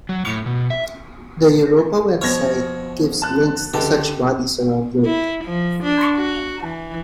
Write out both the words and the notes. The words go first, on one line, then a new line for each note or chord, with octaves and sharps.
The Europa website gives links to such bodies around Europe.
F#3
A2
B2
E5
F2 B2 C#5 F6 G#6 A#6
A5 F#6
C#2 D3 G4 A5
E4
F3
D4
F#4
E3